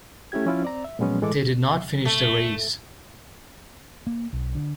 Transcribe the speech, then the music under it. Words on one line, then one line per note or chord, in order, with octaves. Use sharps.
They did not finish the race.
A3 C#4 E4 G4 G#6
F3 C#4 E4 F4
C4 D5 A#5
E5
A#2 F3 F#3 G#3 B3 C#4
A2 E3 G#3 A4 D6
A3
A#3
B1
D3